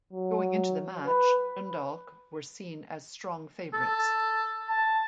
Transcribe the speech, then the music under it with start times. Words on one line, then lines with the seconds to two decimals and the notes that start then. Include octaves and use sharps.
Going into the match Dundalk were seen as strong favourites.
0.13 F#3
1.07 B4
3.73 A4
4.69 A5